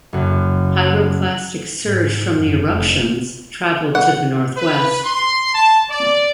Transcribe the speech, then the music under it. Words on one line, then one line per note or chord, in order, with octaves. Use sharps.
Pyroclastic surge from the eruptions traveled to the northwest.
F#1 F#2
G#2
F#2
F1
F#5
B4
C6
A5
D5